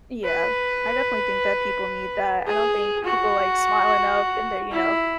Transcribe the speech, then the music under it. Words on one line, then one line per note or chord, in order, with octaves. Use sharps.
Yeah. I definitely think that people need that. I don't think people, like, smile enough in their, you know,
B4
G#4
F#4
E4